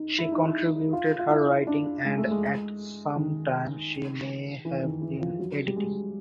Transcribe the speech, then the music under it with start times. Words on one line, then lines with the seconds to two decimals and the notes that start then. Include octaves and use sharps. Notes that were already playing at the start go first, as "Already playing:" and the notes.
She contributed her writing and at some time she may have been editing.
Already playing: D#4
0.18 E4
0.32 D#4
0.45 E4
0.93 F4
1.19 F4
1.30 E4
1.67 D4
2.05 G#3
2.18 A3
2.31 G#3
3.16 D#3
4.65 E3
4.83 D#3
5.02 E3
5.20 F3
5.39 F#3
5.67 G3
5.76 G#3